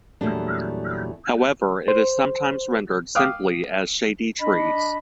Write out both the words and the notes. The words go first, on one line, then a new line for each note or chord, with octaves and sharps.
However it is sometimes rendered simply as "shady trees".
E2 A#2 F#3 G3 A3 D4
C5
F5 G5 D6 D#6 F6 F#6
D4 D#5 B5